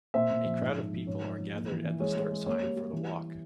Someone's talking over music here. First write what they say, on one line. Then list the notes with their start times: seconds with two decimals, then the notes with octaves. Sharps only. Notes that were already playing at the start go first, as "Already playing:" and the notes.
A crowd of people are gathered at the start sign for the walk.
0.14 A#2 C5 E5
0.31 A#2
0.45 F3
0.61 G#2
0.77 G#2
0.92 F3
1.07 G#2 C#5
1.22 F3
1.39 F3
1.54 A#3
1.69 E3
1.85 E3
2.00 G#3 C#5
2.15 G#3
2.31 G#3
2.46 A#3 C#5
2.62 G3
2.76 G3
2.93 E3
3.07 G3